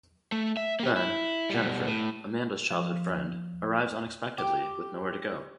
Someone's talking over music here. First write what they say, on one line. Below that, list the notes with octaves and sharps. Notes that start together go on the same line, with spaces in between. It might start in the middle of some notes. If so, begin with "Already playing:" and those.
Then, Jennifer, Amanda's childhood friend, arrives unexpectedly with nowhere to go.
A3
E5
A#3 G4
E4
B2 G3
A2
F3
G4